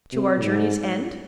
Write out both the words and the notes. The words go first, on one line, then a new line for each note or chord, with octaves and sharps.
"To our journey's end?"
C3
G#2